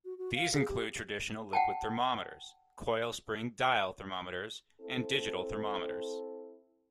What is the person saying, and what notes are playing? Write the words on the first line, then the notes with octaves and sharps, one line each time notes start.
These include traditional liquid thermometers, coil spring "dial" thermometers and digital thermometers.
F#4
F#4
F5
G#4
G4
F#5 G5 A5
C4 E4 A4